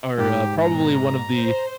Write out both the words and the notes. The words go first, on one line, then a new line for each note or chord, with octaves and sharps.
are, uh, probably one of the
G#2 G4
B2 A#5
C5